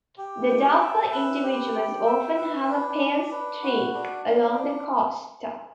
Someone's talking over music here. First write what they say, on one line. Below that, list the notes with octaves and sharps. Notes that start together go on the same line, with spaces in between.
The darker individuals often have a pale streak along the costa.
G4
G5
E5
B4
G4
G5
E5
B4
D4
D4
B4
F#4
D4
D4